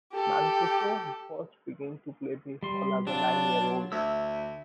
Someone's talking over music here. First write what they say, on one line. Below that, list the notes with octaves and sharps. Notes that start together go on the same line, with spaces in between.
Mancuso first began to play baseball as a nine-year-old.
G4 A4
G3 C6
F#3 D4 F4
D2 E5 E6